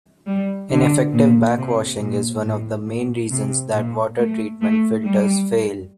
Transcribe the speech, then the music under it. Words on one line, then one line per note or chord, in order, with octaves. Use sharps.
Ineffective backwashing is one of the main reasons that water treatment filters fail.
G3
D3
A#2
C3
A#2
A2
A#2
C3
A#2
A3
A3
G3